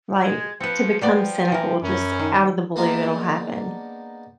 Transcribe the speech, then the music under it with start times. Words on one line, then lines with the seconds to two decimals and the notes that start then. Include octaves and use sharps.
like, to become cynical just out of the blue, it'll happen,
0.24 G#3 G#6
0.60 F3 C4 B4 C#7
1.01 F3 G3 B3 D5 G5
1.52 E3 A#4
1.82 F#2 C#4 B5
2.19 D#3
2.76 G#3 A#3 B3 D4 G4 A#4